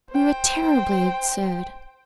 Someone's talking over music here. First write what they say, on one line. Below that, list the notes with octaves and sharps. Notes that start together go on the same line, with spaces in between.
We were terribly absurd.
C5 G5